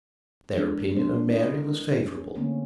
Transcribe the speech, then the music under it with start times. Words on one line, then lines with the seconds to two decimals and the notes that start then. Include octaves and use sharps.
Their opinion of Mary was favourable.
0.52 E3 G#3 D4 A4 A#4
0.95 G3 B3 C4 D4 C5
1.30 B3 C4 E4 B4 D#5
1.54 E4 A#4
2.02 C#4
2.35 D3 A3 A#3 C4 C#4